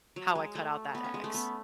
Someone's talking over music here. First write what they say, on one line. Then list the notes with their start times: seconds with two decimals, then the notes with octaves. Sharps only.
how I cut out that ex.
0.16 F#3
0.35 G#3
0.55 A3
0.95 B3
1.04 C#4
1.14 G#3
1.24 A3
1.34 B3